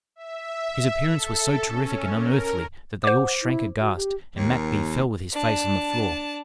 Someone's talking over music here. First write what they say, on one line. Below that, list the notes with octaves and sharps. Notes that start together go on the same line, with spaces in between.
His appearance was so terrific and unearthly that they all shrank aghast, and Mat Bee fell with his face on the floor.
E5
A4
C#4
A#4
C5 F#5 D6
E4
F#4
G4
D#2
D4 A5